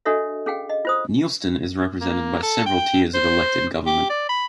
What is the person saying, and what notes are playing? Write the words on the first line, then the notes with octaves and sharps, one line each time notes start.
Neilston is represented by several tiers of elected government.
D4 F#4 A4 C#5 D#5 E5
C#4 G#4 F5 G5
D#5
F4 C5 D#6
A#3
A4
G5
C5
G4
D5
B5